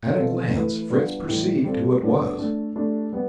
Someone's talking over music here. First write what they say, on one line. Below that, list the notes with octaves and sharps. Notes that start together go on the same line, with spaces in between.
At a glance Fritz perceived who it was.
B2 G3 C4 F4 A4
E3 A3 E4 B4
G3 B3 D4 F4 B4
A2 E3 G3
G3 C4 F4 A4
G3 B3 D4
A3 D4 A4
A3 D4 G4
G3 B3